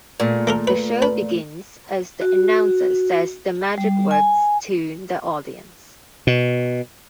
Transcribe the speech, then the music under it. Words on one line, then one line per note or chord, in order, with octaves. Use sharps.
The show begins as the announcer says the magic words to the audience.
A#2 A3 F4 G#4
A#3 A4 A#4
B4
B4 A5
F#4
G3
G#5
B2